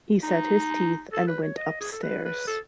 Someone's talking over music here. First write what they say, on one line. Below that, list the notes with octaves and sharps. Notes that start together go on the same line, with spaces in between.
He set his teeth and went upstairs.
D#4
A4
B4
C#5
D#5
G#4
A4
B4
B4
A4